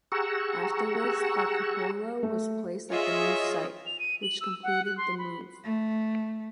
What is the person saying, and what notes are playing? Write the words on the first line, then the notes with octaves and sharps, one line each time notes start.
Afterwards the cupola was placed at the new site, which completed the move.
G4 G#4 F#5 A#5 C#6 E6
A3
F4 G#4 C#5 D#5 E5
F7
D#7
F#7
E6
F#5
F#6
C6
B5
A3